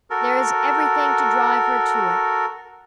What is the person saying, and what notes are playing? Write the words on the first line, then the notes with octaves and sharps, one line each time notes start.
There is everything to drive her to it.
F#4 A4 A#4